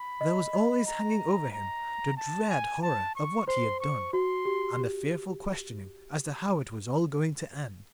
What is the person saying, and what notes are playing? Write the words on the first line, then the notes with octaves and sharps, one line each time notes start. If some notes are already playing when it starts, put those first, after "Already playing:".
There was always hanging over him the dread horror of what he had done, and the fearful questioning as to how it was all going to end.
Already playing: B5
D#5
D#5
D#5 A#5
A#5
A5
G#5
A5
C#6
C5 C6
C#6
F#4 C6
G4
G4